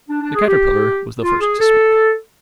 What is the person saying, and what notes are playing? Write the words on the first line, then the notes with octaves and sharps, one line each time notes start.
The Caterpillar was the first to speak.
D4
D4
G#4
G4
F4
G#4
A4